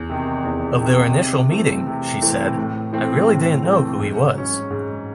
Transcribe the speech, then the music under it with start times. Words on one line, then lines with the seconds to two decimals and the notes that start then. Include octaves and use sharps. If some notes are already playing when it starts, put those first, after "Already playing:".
Of their initial meeting, she said, I didn't really know who he was.
Already playing: E2
0.09 C3 D#3
0.45 E2
0.81 C3 D#3
1.16 C3
1.51 E3 A3 C4
1.87 C3
2.22 E3 A3 C4
2.58 A2
2.93 E3 A3 C4
3.28 A2
3.63 E3 A3 C4
3.99 G#2
4.35 F#3 C#4
4.70 G#2